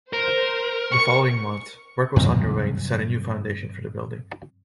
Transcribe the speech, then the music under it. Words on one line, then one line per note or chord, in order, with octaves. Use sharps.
The following month, work was underway to set a new foundation for the building.
A#4 C5
C#6
G2 C3 D#3 F#3